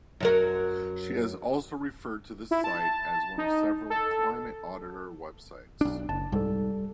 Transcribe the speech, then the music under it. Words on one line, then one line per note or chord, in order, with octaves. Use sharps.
She has also referred to this site as one of several "Climate Auditor" websites.
F#2 F#3 A#4
E4
A5
D#4
A4
B1 D4
F#1 A5
C2 G#2 G3 A4